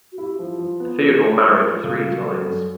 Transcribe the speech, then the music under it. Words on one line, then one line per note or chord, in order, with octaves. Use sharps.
Theodore married three times.
F#4
E4 G4
F3
F3
B3
F3 A#4
A4
G#4
E4 A4
G#3 A#4
F3
A#4
C#3 A4
F#3
A#4
F#3 A4
F#2